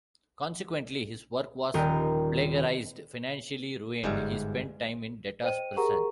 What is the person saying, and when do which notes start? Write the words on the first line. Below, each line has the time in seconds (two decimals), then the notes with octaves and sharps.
Consequently, his work was plagiarised; financially ruined, he spent time in debtors' prison.
1.74 D#1 G4 A#4 D#5
4.04 G1 G#2 G3 G#3 E5
5.44 C5 D#5 G5 D#7
5.77 G4 G#4 A#4 F#5 A#5 C#6